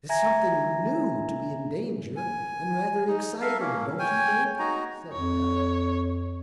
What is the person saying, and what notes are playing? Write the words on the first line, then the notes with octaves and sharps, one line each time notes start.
"It's something new to be in danger, and rather exciting, don't you think?" said Beth.
E5 G#5 A#5 G#6 A#6
G#5
D#4
A4 A#4 E5 F5
A#3 C#4
C#5 G5 G#5
D#4 F#4 A#5
F2 C#5